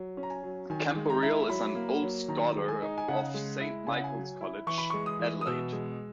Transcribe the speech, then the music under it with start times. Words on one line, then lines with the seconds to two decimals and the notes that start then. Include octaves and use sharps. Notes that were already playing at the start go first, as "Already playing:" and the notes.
Camporeale is an old scholar of Saint Michael's College, Adelaide.
Already playing: F#3
0.17 C#4
0.23 A#5
0.30 G#5
0.43 F#3
0.70 D#3 G#5
0.96 G#3
1.10 A#5
1.22 E4
1.49 F#3 B5
1.75 A#3
2.02 F#3
2.28 D#3 A#5
2.56 G#3
2.68 G#5
2.82 D#4
2.98 G#5
3.08 C#3 F#5
3.34 G#3
3.61 E4
3.87 C#3 G#5
3.96 F#5
4.04 G#5
4.14 F#3
4.41 E4
4.67 E3 C#6
4.78 B5
4.90 G#3 C#6
5.06 D#6
5.19 E3
5.41 D#6
5.46 B2 E6
5.72 G#3